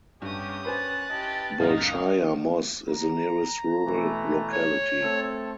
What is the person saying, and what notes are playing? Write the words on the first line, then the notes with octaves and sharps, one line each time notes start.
Bolshaya Mos is the nearest rural locality.
G2 A3 B3 C#4 G4 D#6
B4 C5 G#5 F#6 A6
E4 G4 D#5 A5
C#2 F#2 D#4 D#5 F5
A#5
B2 E3 A3
C#5
A3 C4 A4